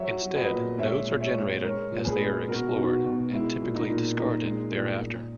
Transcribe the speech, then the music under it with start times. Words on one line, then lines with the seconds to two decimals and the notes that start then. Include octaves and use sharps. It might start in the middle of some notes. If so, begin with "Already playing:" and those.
Instead, nodes are generated as they are explored, and typically discarded thereafter.
Already playing: F#3 C#5 E5
0.22 F#3
0.36 B4 D#5
0.50 A#2
0.78 G#3 C#5 E5
1.07 A#2
1.20 C#5 E5
1.35 G#3
1.63 G#3 A#4 C#5
1.91 A#2
2.05 G#4 B4
2.20 G#3
2.48 B2 F#4 A#4
2.76 B2 D#4 F#4
3.04 B2
3.32 G#3 E4
3.61 A#2
3.75 D#4
3.89 A#2
4.17 A#2 D#4
4.45 G#3
4.73 A#2
5.01 A#2